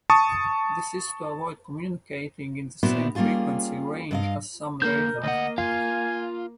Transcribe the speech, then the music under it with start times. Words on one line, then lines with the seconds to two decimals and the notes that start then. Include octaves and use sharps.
This is to avoid communicating in the same frequency range as some radar.
0.10 A5 C#6 D#6
2.83 A#2 B3 D4 E4 F#4 C5
3.15 G3 A#3 C#4 F4 G#4
4.11 G2 D#5 F5
4.82 D3 A#3 A#4 G6
5.24 D2 A#3 D#5 F#5
5.58 F4 F5 G#5